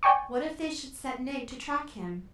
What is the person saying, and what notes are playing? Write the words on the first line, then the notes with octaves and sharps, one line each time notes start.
What if they should set Nig to track him!
D5 G5 G#5 C#6